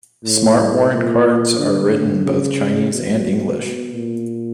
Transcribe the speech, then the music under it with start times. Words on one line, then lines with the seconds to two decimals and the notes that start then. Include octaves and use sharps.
Smart warrant cards are written in both Chinese and English.
0.24 A2
0.92 A#2
1.58 D3
2.26 C#3
2.93 B2
3.60 B2
3.94 A#2